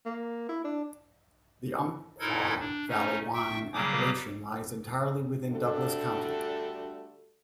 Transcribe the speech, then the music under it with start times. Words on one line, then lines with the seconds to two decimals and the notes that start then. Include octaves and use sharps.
The Umpqua Valley wine appellation lies entirely within Douglas county.
0.06 A#3
0.49 E4
0.64 D4
2.20 A#2 D#4 E4 A4 A#4 G#6
2.59 D4
2.88 A3 C#4 D#4
3.34 E5 G5 C#6
3.74 C#3 F#3 G3 A#3 D6 D#6
5.51 D3 G3 A3 D4 F#4 A4